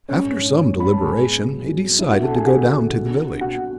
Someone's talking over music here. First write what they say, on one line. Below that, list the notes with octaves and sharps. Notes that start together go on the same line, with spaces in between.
After some deliberation he decided to go down to the village.
G#3 C#4 C#5
G#2
D4
D4
G#2
B5
G#3 A5
B2 G#4 G#5
B3
B2
F#3
F#3
B3
D4 E4 E5
F#4 F#5
D4
A4 A5
D4 G#4 G#5
B3 F#4 F#5
D3
D3
B2
D4
D4
B2 F#4 F#5
B2